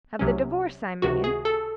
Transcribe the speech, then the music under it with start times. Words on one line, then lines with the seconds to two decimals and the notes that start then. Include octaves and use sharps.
"Of the divorce, I mean?"
0.19 C2 C3 F#3 C#4
1.02 C#2 C3 D#3 F#4
1.24 G#4
1.45 A4